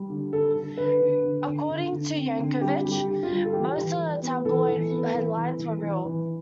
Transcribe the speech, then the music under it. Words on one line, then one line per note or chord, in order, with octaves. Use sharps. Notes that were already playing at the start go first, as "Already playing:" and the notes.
According to Yankovic, most of the tabloid headlines were real.
Already playing: G3
D3
D3 A4
D3
D3 B4
D3
D3
D3
D3
D3
C4
D3
G3 G4
G3
G4
D3
F4
G3
A4
E3 G4
E3
E3
B3
E3 A4
E3
B3
E3
E3
E3
E3
E3